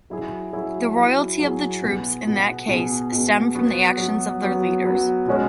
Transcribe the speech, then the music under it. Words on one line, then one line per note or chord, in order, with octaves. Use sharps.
The loyalty of the troops, in that case, stemmed from the actions of their leaders.
F#3 E4 G#4
F#3 E4 G#4
F#3 E4 G#4
F#3 E4 G#4
B2 B3 G#4
B2 B3 G#4
B2 B3 G#4
B2 B3 G#4
F#3 B3 F#4
F#3 B3 F#4
F#3 B3 F#4
F#3 B3 F#4
B2 G#3 C#4 F#4